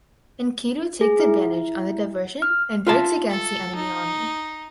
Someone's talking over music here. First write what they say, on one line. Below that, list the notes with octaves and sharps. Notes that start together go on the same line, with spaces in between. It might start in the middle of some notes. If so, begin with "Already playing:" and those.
Enkidu takes advantage on the diversion and breaks against the enemy army.
G#4
E4
F6
F4 E5 A5
A4
D#4